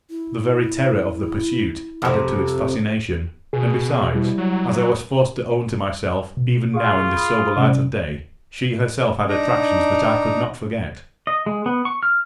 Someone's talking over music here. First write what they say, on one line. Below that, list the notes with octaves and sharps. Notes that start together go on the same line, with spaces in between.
The very terror of the pursuit added to its fascination, and besides, as I was forced to own to myself even now in the sober light of day, she herself had attractions that I could not forget.
E4
F2 C3
B2 G#4
G3 E4
F#3
B2
F4 G#4 F5 C#6
B5 D#6
C3 G3 C#4
D4 D#4 A#5
D#5
G#3
B3
C#6
F6